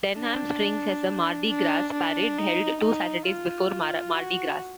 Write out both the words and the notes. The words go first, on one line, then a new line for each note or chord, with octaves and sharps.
Denham Springs has a Mardi Gras Parade held two Saturdays before Mardi Gras.
D4
D4
D4
D#4
D#4
F4
F#4